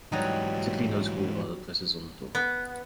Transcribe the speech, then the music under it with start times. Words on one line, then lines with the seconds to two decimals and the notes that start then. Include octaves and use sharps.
Particularly notable are the presses on the door.
0.12 G#2 E3 F#3 G3 D#4
2.35 B3